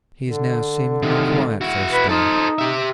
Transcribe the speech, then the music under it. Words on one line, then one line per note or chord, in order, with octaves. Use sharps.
He is now seemingly quiet for a spell....
D3
C3 D#3
E4 F#4
B4
D#4 A4 C5
G4 E5